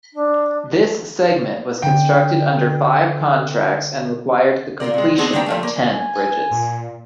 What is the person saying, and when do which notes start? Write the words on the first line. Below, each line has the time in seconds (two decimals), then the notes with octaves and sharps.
This segment was constructed under five contracts and required the completion of ten bridges.
0.13 D4
1.82 D3 G5
2.48 A4
4.80 A#3 F4 A#4 D5
4.94 C3 G#3
5.18 B3 C4 D4 D#4 G#4
5.33 D#3 G3 A#3 D4 G5 A#5
5.46 F3 G3 A3
5.63 A#3
5.94 G#5
6.51 A#2